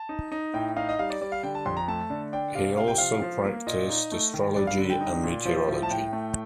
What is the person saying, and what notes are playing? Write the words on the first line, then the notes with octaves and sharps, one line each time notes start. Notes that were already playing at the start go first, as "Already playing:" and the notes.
He also practiced astrology and meteorology.
Already playing: A5
D#4
D#4
A2 G5
D#4 F5
D#5
G3 F5
D5
G3 D5
F5
D3 G5
A5
F2 C6
A#5
A3 A5
D3
D4 G5
C3 F5
C3 F5
G5
F3 F5
F3
A#3
A#2 D#5
D#4
A3
D#3
G2 D5
F5
D3
G5
D#4
A#2
F3
A2
A5
A2 G5
A3